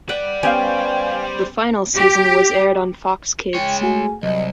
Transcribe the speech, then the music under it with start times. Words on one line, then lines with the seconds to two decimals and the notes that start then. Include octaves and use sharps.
The final season was aired on Fox Kids.
0.09 G3 B4 D5 F#5 G5
0.43 B3 C#4 G4 C5 F5 G5 G#5
1.95 G4
3.54 G#3 C#5 G5
3.81 A3 F#4 G#4 G#5
4.23 C2 F#3 D#5